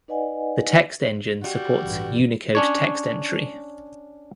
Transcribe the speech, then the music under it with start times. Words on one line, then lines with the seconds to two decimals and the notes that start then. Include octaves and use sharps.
The text engine supports Unicode text entry.
0.08 D#4 B4 D5 D#5 F#5 G#5
1.44 G3 F#4 G5
1.83 A1 G2
2.55 C#4 D4 C#5